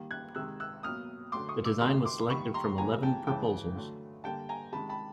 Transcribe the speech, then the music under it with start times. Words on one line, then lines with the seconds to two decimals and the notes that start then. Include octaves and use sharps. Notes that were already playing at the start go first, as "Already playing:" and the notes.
The design was selected from eleven proposals.
Already playing: D#3 G3 A#3
0.11 F#6 G#6
0.35 C3 D#3 G#3 E6 F#6
0.60 E6 F#6
0.83 B2 F#3 A#3 D#6 F6
1.32 D3 F#3 A3 C6 D6
1.49 C#6 D#6
1.65 D6 E6
1.81 C3 D#3 F#3 A3 C6 D6
2.05 C6 D6
2.29 D#3 G3 A#3 B5 C#6
2.54 A#5 C6
2.78 C#3 E3 G3 A#3 G#5 A#5
3.03 G5 A5
3.27 C#3 E3 G#3 G5 A5
3.75 D3 F#3 A3
4.24 D3 G3 A#3 G5 A5
4.49 G#5 A#5
4.73 C3 D#3 G#3 A5 B5
4.89 A5 B5